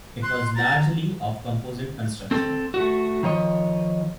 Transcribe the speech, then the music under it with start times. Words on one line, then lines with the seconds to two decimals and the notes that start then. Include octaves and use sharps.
It was largely of composite construction.
0.23 C6 F#6
0.56 A#5 A6
2.31 C4 A4
2.74 A3 F#4
3.23 D#3 F3 C#5 D#5